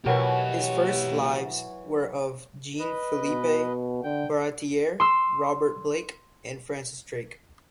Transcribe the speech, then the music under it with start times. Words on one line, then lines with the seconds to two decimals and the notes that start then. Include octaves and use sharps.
His first "lives" were of Jean-Philippe Baratier, Robert Blake, and Francis Drake.
0.06 B2 E3 F#3 G4 A#4 C#5 F#5 G5
2.79 B4 D#5
3.23 B2
4.03 D3 G5
5.00 C6 E6